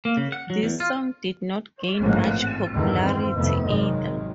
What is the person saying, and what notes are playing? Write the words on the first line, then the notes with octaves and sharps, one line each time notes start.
This song did not gain much popularity either.
A#3
C#3
F#5
F#3
E2
F4
A1 G#2 F3 A3 A#3 C#4
C4
E2 G2 D3 D#3
C4
F1 F2 D#3 A3 B3
G#1 C3 D#3 F#3 G#3